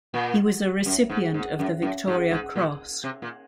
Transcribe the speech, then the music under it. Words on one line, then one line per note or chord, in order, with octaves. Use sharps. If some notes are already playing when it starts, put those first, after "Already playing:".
He was a recipient of the Victoria Cross.
A#2
F#2
G#2
G#2
F#2
F#2
G#2
G#2
A#2
C3
A#2